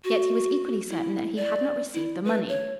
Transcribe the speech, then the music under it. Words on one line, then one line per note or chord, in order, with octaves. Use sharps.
Yet he was equally certain that he had not received the money.
F#4
E4
D5
E4
B4
C#5